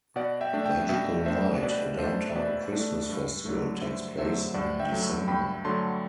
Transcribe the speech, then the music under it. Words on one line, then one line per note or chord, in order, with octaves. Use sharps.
Magical Night, a downtown Christmas festival, takes place in December.
B2 D5 F#5
E5 G5
A3 D4
E5 G5
B2 E5 G5
A3 D4 C5 E5
B2 B4 D5
A3 D4 A4 C5
E5
B2 B4 D5
A3 D4
G2
D3 F#3 A3
G2 C5 E5
D3 F#3 A3 C5 E5
G2 D5 F#5
E5 G5
D3 F#3 A3
G2 G5 B5
D3 F#3 A3 A5 C6